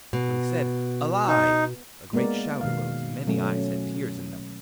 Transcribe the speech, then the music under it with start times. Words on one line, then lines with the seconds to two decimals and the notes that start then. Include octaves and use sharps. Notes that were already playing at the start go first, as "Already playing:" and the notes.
When he said ‘Alive!’ a great shout arose and many eyes had tears in them.
0.13 B2
1.28 D#4
2.13 G#3 A#3 B3 A#4 D5
2.61 B2 D#3 F5
3.26 B2 F#3 A3 C#4
3.57 C#4